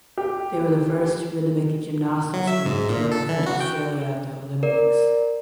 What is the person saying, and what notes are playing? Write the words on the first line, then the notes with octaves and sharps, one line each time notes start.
They were the first rhythmic gymnastics group to represent Australia at the Olympics.
G4
F#3
E5
G#2
A#2
A4
E3
F#4
G5
A#4 D5